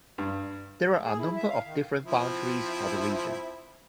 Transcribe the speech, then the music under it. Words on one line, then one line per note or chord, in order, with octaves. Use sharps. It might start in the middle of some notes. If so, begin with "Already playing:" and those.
There are a number of different boundaries for the region.
G2
G#2
G#4
E4
E5
F5
D#3
F3 C4 E4